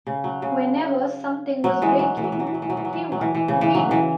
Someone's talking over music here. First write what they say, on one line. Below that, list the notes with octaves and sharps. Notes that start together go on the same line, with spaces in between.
Whenever something was breaking, he wanted to be there.
C#3
F#3
C#3
F#3
E3 G#3
F#3
E3
F#3
E3
F#3
E3
F#3
E3
F#3
E3
F#3
E3
F#3
E3
E3
C#3
E3
F#3
E3